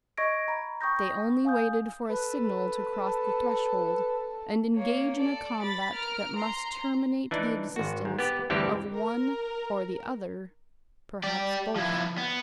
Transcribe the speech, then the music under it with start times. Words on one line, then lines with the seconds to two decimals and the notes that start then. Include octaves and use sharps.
They only waited for a signal to cross the threshold; and engage in a combat that must terminate the existence of one or the other--perhaps both.
0.18 D#5 C#6 G#6 A#6 D7
0.48 A#5 B5
0.81 G5 C#6 D#6 G6 A#6
1.45 F5 G#5 D#6 G6
2.09 A4 B4
4.76 A#3 C#5
5.19 A4 D5
5.62 B5 A6
5.94 A#4 F6
6.36 A#5 C6
7.31 E3 D4 D#4
7.76 G#1 F#4
8.05 G#2
8.19 B3 G4
8.50 D2 G2 E3 C4 G4
8.92 A#4
11.23 G4 D5
11.76 F3 E4
12.18 B3